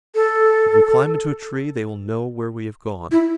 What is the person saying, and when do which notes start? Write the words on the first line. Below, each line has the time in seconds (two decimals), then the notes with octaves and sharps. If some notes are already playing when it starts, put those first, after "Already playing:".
If we climb into a tree they will know where we have gone.
0.15 A4
3.11 E4